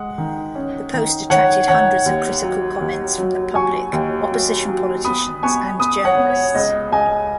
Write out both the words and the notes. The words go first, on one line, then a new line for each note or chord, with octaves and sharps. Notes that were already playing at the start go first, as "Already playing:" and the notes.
The post attracted hundreds of critical comments from the public, opposition politicians and journalists.
Already playing: G#3 F#5
D#3
C#4
D#3
D#3 C#5 F#5
D#3 C#5 F#5
D#2
F#3
D#2
F#3
F#3 G#5 C#6
D#2
F#3
F#3
B3 B5 D#6
B3 G#5 C#6
B3 B5 D#6
C#5 F#5
B3
C#5
C#2 D#5
C#2 D#5 G#5